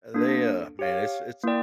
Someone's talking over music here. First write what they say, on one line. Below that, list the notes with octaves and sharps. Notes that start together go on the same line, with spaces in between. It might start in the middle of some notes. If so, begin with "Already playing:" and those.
they, uh, man, it's it's
A#3 D4 A4
G4 C#5 F5
A#3 E4 A#4 D5 G5